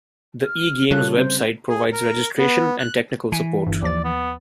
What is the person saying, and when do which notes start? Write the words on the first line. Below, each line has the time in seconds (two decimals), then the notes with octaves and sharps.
The eGames website provides registration and technical support.
0.44 F6
0.91 C#3 G3 C#4 F4 A4 F#6
1.16 C3 C5
1.69 G#4
1.92 A#4
2.38 B3
2.79 F#6
3.32 E3 G#5
3.67 G1 G2
3.82 D#2 F3 D5 A6
4.04 B3